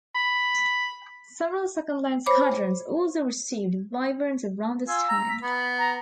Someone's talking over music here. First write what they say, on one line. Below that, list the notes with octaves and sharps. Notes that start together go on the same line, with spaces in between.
Several second-line squadrons also received Wyverns around this time.
B5
C5 C#5 B5 D6
F4 G#5 E6
A#5
B6
B3 B5
A#5